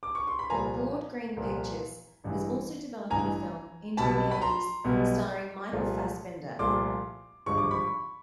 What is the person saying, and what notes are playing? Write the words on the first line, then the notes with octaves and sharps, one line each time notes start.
Broad Green Pictures is also developing a film "Entering Hades" starring Michael Fassbender.
D6
C#6
C6
B5
C2 A#2 F3 A#3 G#5 A#5
C2 A#2 F3 A#3
A1 G2 E3
A1 G2 E3 G#5 A#5
B1 B2 G3 B3 A5 B5
B5
A#5 C6
B1 B2 G3 B3
C2 A#2 F3 A3
C2 A#2 F3 A3 C6 D6
G#1 G2 D3 F3 G#3 C#6
D6
B5 C#6